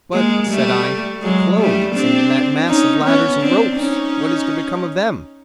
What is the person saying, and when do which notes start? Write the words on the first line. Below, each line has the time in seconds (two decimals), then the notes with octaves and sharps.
"But," said I, "the clothes, and that mass of ladders and ropes, what is to become of them?"
0.13 G#3 A#3
0.50 G3 A3
1.23 F#3 G#3
1.59 G3 A3
1.95 C4 D4
2.68 C#4 D#4
3.04 B3 C#4
3.41 C4 D4
3.77 C#4 D#4